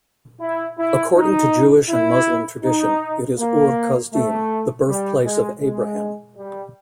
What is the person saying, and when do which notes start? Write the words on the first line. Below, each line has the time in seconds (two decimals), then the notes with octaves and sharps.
According to Jewish and Muslim tradition, it is Ur Kasdim, the birthplace of Abraham.
0.40 E4
0.77 E4
1.15 D#4
1.89 E4
2.64 D#4
3.38 A#3
4.13 A3
4.87 G3
5.24 G#3
5.61 G#3
6.36 G3